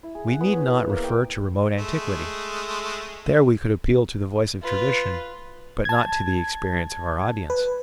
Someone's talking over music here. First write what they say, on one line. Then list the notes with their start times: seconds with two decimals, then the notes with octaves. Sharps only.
We need not refer to remote antiquity: there we could appeal to the voice of tradition, but not to the experience of our audience.
0.03 E4
0.15 G#4
0.28 F#5
0.41 B3
0.53 C#5
0.69 B3
0.90 A#3
1.04 G5
1.78 G#3 A3
4.63 F4 B4
5.85 A5 G#6
7.50 B4